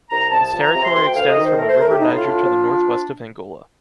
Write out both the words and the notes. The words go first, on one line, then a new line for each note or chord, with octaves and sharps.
Its territory extends from the River Niger to the northwest of Angola.
C2 A#5
A#5
C2 A5
A5
F3
A#5
C3 A#5
C6
D2 C6
G5
D2 F5
D#5
D#3
C5
A3 A#4
C5
A2 A#4
G4
A2 D#4
F4
D4
F4
F3
D4